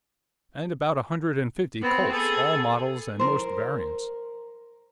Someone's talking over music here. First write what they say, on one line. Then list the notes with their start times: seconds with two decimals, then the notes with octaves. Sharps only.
And about a hundred and fifty Colts, all models and most variants.
1.81 B3 C4
2.11 G#4 A4
3.19 A#4 C5